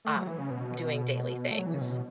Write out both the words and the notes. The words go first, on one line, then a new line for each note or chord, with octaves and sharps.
um, doing daily things.
A3
F#3
E3
C#3
B2
A3
F#3
E3
C#3
B2